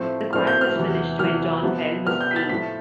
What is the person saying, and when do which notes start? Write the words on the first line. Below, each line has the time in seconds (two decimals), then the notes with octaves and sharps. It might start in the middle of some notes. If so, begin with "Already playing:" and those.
The quad was finished when John Fell was Dean.
Already playing: A2 F3 A3 C4
0.33 A2 F3 A3 C4 F6
0.47 G6
0.61 F6
0.76 E2 C3 E3
1.19 E2 C3 E3 F6
1.63 C3 F3 B3
2.07 C3 F3 B3 F6
2.21 G6
2.31 B6
2.36 A6
2.49 A2 F3 A3 B6